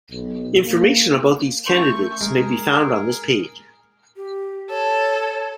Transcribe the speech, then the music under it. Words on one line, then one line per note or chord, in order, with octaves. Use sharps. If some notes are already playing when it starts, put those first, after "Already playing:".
Information about these candidates may be found on this page.
B1
A#3
A3 C#4 A#4 C6 C#6 G6
G#3 G#4 A#4
G4
A4 C#5